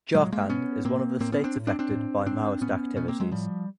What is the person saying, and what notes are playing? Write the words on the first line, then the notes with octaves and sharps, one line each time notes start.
Jharkhand is one of the states affected by Maoist activities.
A#2 F#3 G#3
G#3 A#3
B2 B3 C#4
A2 A#3 C4
A2 A#3 C4
B3 C#4
C4 D4
A2
C4 D4
C4 D4
A2
A2 C4 D4
A2 B3 C#4
B2 B3 C#4
A#3 C4
F#3 G#3
A2 F3 G3